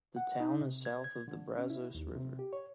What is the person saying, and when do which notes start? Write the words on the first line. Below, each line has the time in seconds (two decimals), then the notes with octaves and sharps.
The town is south of the Brazos River.
0.16 F#5
0.40 D#4
0.61 C3
0.85 G#6
1.04 G#6
1.28 D3
1.58 C#4
1.70 E4
1.95 D#2
2.16 C3
2.39 G4
2.53 C#5